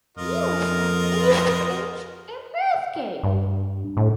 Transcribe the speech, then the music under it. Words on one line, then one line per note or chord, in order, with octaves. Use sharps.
He was from Easter Inch in Bathgate.
F2 F4 A#4 D#5
G2
A2